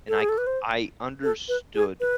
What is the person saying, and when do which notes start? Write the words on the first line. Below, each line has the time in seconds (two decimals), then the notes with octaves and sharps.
and I c I understood
0.08 A4
0.21 G#4
0.29 A4
0.38 B4
0.47 C5
1.23 A4
1.49 B4
1.75 G#4
2.00 B4